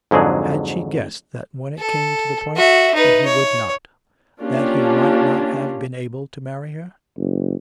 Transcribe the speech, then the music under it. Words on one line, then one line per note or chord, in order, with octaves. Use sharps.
Had she guessed that when it came to the point that he would not, that he might not have been able to marry her?
F2 G#2 D3 F#3 G#4
A4
F#4 E5
D#4 B4
C#5
A#3 C#4 D4 F4 G4
F#1